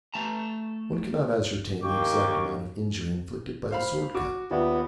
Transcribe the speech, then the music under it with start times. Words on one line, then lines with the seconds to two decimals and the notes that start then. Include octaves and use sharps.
One cannot ascertain the exact amount of injury inflicted by the sword-cut.
0.14 A3 A5 A#5
1.83 D#2 A#3 G5 C#6 D6
3.71 C5 F5 B5
4.14 F#4 D6
4.51 D#2 B3 F4 D5 E5